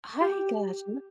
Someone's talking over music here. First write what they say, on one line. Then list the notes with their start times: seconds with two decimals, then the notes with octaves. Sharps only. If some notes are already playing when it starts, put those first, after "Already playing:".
I got you.
0.20 G4